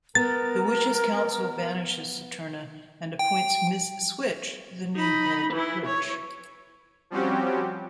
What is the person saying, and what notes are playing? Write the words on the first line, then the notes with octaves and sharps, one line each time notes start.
The Witches' Council banishes Saturna and appoints Miss Switch the new Head Witch.
B3 A#4 A#5 A6
G5
D#4 B5
E3 E4
C#5
F3 G3 C4 C#4 F#4 G4